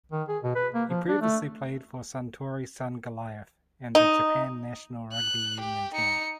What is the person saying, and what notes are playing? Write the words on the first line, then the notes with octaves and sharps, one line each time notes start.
He previously played for Suntory Sungoliath and the Japan national rugby union team.
D#3
G#4
B2
B4
A#3
F3
D4
A3
D#4
F#6
G4
D#4 C#7